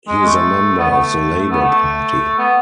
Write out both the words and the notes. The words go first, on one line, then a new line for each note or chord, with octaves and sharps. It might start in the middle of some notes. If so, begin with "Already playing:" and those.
He is a member of the Labour Party.
G#3
A3
B3
A3
A3
B3
A3
B3